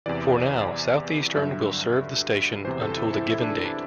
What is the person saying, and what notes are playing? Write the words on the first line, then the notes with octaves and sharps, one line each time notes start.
For now Southeastern will serve the station until the given date.
E2 C3 E3 D5
G2 D3 F#3 E5
E2 C3 E3 C5
A4
E4
E4
E4
D4
D4